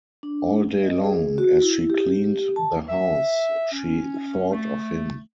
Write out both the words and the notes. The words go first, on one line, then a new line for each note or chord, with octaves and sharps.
All day long, as she cleaned the house, she thought of him.
D4
D#5
G#4
F#4
E4
G4
A5
E5
C#4
A3